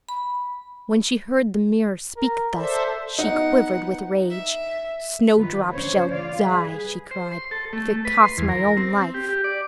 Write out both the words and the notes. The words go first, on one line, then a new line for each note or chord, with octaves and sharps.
When she heard the mirror speak thus, she quivered with rage. "Snowdrop shall die," she cried, "if it costs my own life!"
B5
A#4
A4 C5 D5 E5
B3 D#4 F#5
E5
D#3 F4 B4
C#3 E3 C#4 D4 C5 C#5
E3 F4 D5 F5
G3 G#4 B4
C5
C6
A4
A3
B4
C6
E2
A#4
C4
G4
G4
D5